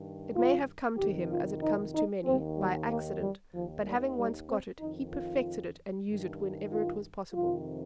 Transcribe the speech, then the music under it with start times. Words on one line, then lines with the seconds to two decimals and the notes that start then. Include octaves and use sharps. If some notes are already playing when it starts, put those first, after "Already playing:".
It may have come to him, as it comes to many, by accident; but having once got it, he perfected it and used it whenever it was possible.
Already playing: G2 D#3
0.34 F4
0.98 F2 C3 D#3 G4
1.30 F4
1.61 D#4
1.93 D#4
2.25 D#2 D#3 C4
2.56 G3
2.88 A#3
3.21 G3
3.52 D#2 D#3 F3
3.84 G3
4.16 G3
4.48 C4
4.79 F2 D#3 D#4
5.11 F4
6.07 G2 D#3
6.70 F4
7.33 F2 C3 D#3 F4